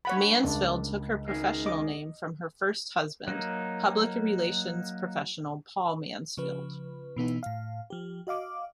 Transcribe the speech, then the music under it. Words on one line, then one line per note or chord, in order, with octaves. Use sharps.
Mansfield took her professional name from her first husband, public relations professional Paul Mansfield.
C#5 F#5 B5
G2 B5
C#2 D4 A#4
D#3 G#3
D#5 D6
F#3 A#3 D#4
C#3 F3 B4
B2 E3 B3 D#4
A2 F5
F3 G4
F#4 D#5 F5 D6